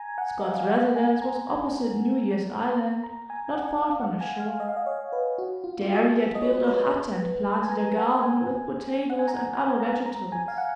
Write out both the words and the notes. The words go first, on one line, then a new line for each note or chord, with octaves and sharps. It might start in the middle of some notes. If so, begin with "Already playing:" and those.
Scott's residence was opposite New Year's Island not far from the shore; there he had built a hut and planted a garden with potatoes and other vegetables.
Already playing: G#5 A#5
F#5
D#5
F5
G#5
F#5
F#5
G#5
A#5
A#5
G#5
F#5
F5
F#5
G#5
F5
D#5
F5
D#5
C#5
B4
F#4
F4
F4
F#4
G#4
D#5
C#5
C#5
B4
G#5
A#5
F#5
G#5
F#5
G#5
A#5
G#5
A#5
A#5
G#5
F5
F#5